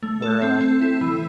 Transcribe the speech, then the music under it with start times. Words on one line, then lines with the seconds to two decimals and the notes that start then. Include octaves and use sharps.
where, uh
0.03 A3
0.22 A4
0.42 C4
0.61 C4
0.81 E4
1.01 E3